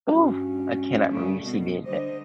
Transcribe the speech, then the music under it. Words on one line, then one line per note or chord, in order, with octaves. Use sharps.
ooh, I cannot believe she did that.
G2 C#4 F#4
C#3 G3 A3
B2 B3
D3 G3 C5 D#5